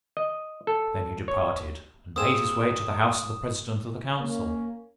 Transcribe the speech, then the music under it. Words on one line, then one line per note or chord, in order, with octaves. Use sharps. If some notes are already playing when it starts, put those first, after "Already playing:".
Then he departed, and made his way to the house of the President of the Council.
D#5
A4
C#5
A#3 C4 G#4 D#6 E7
A#3 C#4